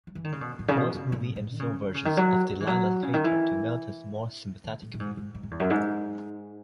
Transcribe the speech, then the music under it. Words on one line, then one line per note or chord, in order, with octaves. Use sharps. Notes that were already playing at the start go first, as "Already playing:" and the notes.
Most movie and film versions of Delilah cater to Milton's more sympathetic view.
F#3
E3
D#3
C#3
B2
A2
C#3
B2
C#3
A2
A2
D#3
C#3
D#3
C#3
D#3
F#3
F#3
E3
F#3
C#3
D#3
E3
D#3
A2
A2
G#2
G#2
G#2
F#2
E2
F#2
G#2